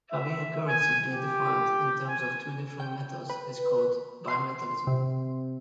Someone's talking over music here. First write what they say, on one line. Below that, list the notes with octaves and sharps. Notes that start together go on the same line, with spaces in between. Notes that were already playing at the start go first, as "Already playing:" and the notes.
Having a currency be defined in terms of two different metals is called bimetallism.
E5
G#5
G4
G#5
G5
B4
C6
C3